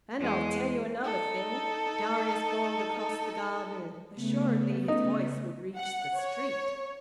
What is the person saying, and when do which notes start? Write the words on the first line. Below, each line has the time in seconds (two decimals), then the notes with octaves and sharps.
"And I'll tell you another thing," Darius bawled across the garden-- assuredly his voice would reach the street.
0.20 E2 G#3
1.03 D#4 A4
4.14 C#3 A3 B3
4.88 D#4
5.76 F#5
6.16 C#5